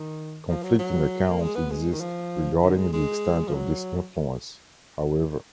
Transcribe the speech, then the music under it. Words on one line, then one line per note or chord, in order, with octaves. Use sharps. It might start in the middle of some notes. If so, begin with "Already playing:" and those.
Conflicting accounts exist regarding the extent of this influence, however.
Already playing: D#3
F3
F#3
F#3
A#3
G#3
B3
G#3
D#3
F3
D3
G#3
G#3
F3
F#3